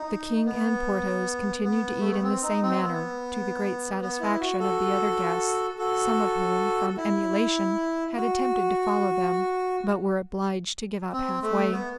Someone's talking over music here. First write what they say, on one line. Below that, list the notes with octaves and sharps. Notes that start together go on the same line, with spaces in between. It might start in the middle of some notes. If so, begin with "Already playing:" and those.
The king and Porthos continued to eat in the same manner, to the great satisfaction of the other guests, some of whom, from emulation, had attempted to follow them, but were obliged to give up half-way.
Already playing: D#4
B3
B3
A3
B3
C4
D#4
C4
B3
B3
E4
F#4
F#4 A4
F#4 A4
E4
F#4
C4
A3
B3